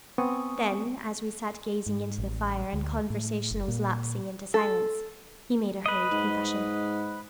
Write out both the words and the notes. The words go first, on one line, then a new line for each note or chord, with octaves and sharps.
Then, as we sat gazing into the fire, and conversation was lapsing into silence, he made a hurried confession.
B3 C4 G#5 C#6 D#6
G#2
A1
D2
A2
F#1
A#2
A4
B4 D#5
G#2